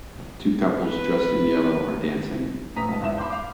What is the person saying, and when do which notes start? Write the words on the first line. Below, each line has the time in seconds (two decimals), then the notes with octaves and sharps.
Two couples dressed in yellow are dancing.
0.87 B4
2.76 A#1 A3 B4 A#5 D#6 B6
2.89 C#2 D#4 A5
3.01 G#1 E2 E5 E7
3.18 B5 C6 D6 G6
3.30 F5 D6